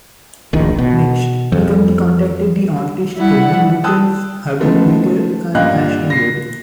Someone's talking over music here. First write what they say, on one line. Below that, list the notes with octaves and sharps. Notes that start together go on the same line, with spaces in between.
Next, the committee contacted the artists Edwin Lutyens, Herbert Baker and Aston Webb.
D1 A#1 D#3
B2
F2
G3 E4 F#5
G5 A5 D#6 E6 F#6
C#3 F3 G#3 A3 B3
G2 A#2 D#5 F5 G5 F#6
A#6 C7